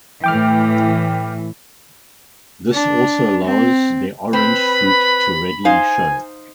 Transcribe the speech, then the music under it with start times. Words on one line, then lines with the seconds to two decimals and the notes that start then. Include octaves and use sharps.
This also allows their orange fruit to readily show.
0.24 A2 E3 G5 D6 F6
2.73 D4
3.45 C4
4.33 C4 B4 B5
5.65 D#4 C5 F5 G#5